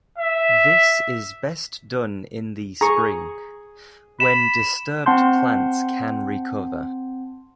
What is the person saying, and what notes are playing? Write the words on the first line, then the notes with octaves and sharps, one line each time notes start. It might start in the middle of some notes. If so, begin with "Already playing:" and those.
This is best done in the spring, when disturbed plants can recover.
E5
G#4 A#5 C#6
B5 E7
C4 F#5 A5 C6 G6